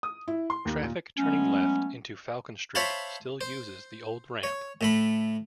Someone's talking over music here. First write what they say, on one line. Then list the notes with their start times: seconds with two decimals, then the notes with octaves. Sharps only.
Traffic turning left into Falcon Street still uses the old ramp.
0.03 D#6
0.28 E4
0.50 C6
0.65 D#2
0.83 A#2
1.17 F#3 G#3 A3 B3 C#4
2.75 C5 C#5 E5 F5 A5 B5
3.41 C5
4.43 C#5
4.81 A2 A3 B5